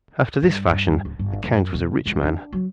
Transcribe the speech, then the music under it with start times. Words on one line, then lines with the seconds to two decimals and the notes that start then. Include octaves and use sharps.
After this fashion the count was a rich man.
0.42 G2
0.70 G2
1.05 D1
1.19 G1
1.44 F#2
1.74 B2
2.06 G#3
2.23 D4
2.53 F#3